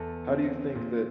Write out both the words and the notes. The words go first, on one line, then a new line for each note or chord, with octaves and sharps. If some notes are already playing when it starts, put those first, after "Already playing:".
How do you think that
Already playing: E2 A4
C4
A#2